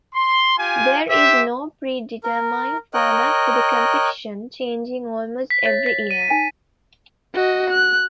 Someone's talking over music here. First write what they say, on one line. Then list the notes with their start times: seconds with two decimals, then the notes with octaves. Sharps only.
There is no predetermined format for the competition, changing almost every year.
0.15 C6
0.58 F4 G4 G#5
1.10 G4 C5 E5
2.24 A#4
2.94 A#4 C#5 D#5 G5 F#6
5.50 B6
5.66 C#5 E5 A6
5.86 B6
6.11 D#7
6.30 D#4 G#5
7.34 F#4 D#5
7.71 F#6